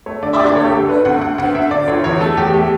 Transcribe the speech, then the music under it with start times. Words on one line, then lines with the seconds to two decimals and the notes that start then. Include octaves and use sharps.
"Our Lord will not take him from me!"
0.06 A3 C#5
0.23 D3 D5
0.33 E5
0.39 D3 D5
0.56 D2 C#5
0.65 G4
0.72 D3 A4
0.89 D2 B4
1.05 D2 F#5
1.22 D2 F#5
1.38 D2 F#5
1.55 D2 E5
1.71 D2 D5
1.88 D2 C#5
2.04 E2 C#5
2.21 A3 A4
2.37 E2 G4
2.54 A3 G4